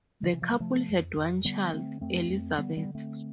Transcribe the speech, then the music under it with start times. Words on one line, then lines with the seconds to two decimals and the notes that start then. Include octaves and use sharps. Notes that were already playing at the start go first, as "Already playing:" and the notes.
The couple had one child, Elizabeth.
0.23 D3
0.33 C3 E3
0.42 F3
0.52 G3
0.60 C3 F3 A3
0.89 F2
1.17 F2
1.45 D3 G3 B3
1.73 D3 A3 C4
2.00 F2 A3 C4
2.29 F2
2.57 D3 G3 B3
2.77 G3 B3
2.85 D3
2.95 A3 C4